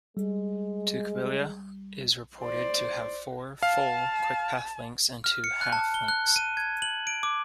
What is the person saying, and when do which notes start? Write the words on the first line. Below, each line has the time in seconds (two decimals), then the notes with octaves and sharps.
Tukwila is reported to have four "full" QuickPath links and two "half" links.
0.17 G3 G#3
2.41 C5 D5
3.63 F5 A5
5.24 F6
5.44 C#7
5.61 F#6
5.73 A5
5.94 G7
6.08 F#6
6.36 D#7
6.57 G#6
6.82 F#7
7.07 D7
7.23 D6